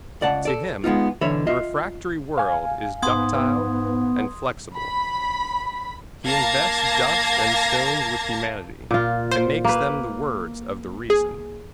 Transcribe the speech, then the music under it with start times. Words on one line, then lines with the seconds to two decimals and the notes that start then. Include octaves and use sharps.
To him, the refractory world is ductile and flexible; he invests dust and stones with humanity, and makes them the words of the Reason.
0.21 C#2 D5 F#5 A5
0.45 A4 D5
0.84 G#3 B3 D#4 F4
1.21 B1 D3 E3 C#5 E5 B5
1.47 F4 D#5 E5
2.38 F5 G#5
3.02 G#2 B3 C6 D#6 G#6
4.76 B5
6.25 A#3 F5 A5 G#6 A#6
8.91 A#2 F4
9.31 C5
9.65 A#3 B4
11.10 G#4